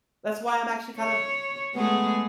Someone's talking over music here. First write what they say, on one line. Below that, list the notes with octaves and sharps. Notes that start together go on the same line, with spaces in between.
That's why I'm actually kind of
C#5
G#3 A3 B3 G#4